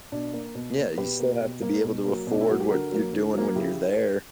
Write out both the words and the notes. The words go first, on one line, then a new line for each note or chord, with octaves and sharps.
Yeah, you still have to be able to afford what you're doing when you're there,
B2 D4
A#3
B2
A#3
B2 G4 B4
A#3
B2
A#3
B2
F#3 A#3
B2 D4
E4
F#3 A#3 F#4
G4
D3 F#4 A#4
F#3 A#3
D3
F#3 A#3
C#3 E4 G4